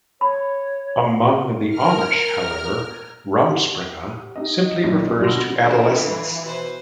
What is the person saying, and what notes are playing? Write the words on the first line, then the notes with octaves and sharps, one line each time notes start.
Among the Amish, however, "rumspringa" simply refers to adolescence.
C#5 B5
A#4 F6
F#4 G4
D#4 G4 D#5
B1 F#2 A#2
G2 B2 D3 F#4 C6 A#6
D3 E3 C4 G4
F4
B2 B4 C5